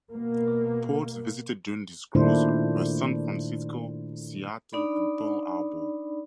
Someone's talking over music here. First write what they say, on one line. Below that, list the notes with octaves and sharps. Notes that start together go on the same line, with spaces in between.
Ports visited during this cruise were San Francisco, Seattle, and Pearl Harbor.
B2 A#3
A#2 D#3 A3 D4 E4 C5
D4 D#4 D5 B5